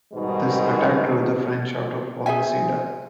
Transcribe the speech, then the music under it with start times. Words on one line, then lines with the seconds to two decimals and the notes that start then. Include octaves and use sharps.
This attack drove the French out of Valmaseda.
0.13 G#2 B2 D#3 G3
2.26 G#4 C5 E5 G#5